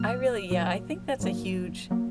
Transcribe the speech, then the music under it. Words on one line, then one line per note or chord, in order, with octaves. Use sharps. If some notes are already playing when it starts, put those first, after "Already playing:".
I really yeah, I think that's a huge,
Already playing: A#2 F#3 A#3 F6
A#2 F#3 A#3
G#2 F#3 A#3
F#3 A#3